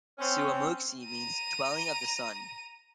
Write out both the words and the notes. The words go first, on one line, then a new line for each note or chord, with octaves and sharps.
Suamuxi means "Dwelling of the Sun".
C4 C#4
A#5 D#7